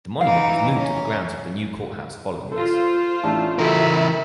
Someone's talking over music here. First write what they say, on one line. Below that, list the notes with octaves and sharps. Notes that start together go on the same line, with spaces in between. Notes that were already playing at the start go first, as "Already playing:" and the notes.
The monument was moved to the grounds of the new courthouse following this.
E3 D#4 F5
C#4 A#5
F4 A4 C5
A1 A3 D4 A5
E3 E4 F#4 A4 A#4 E5 B5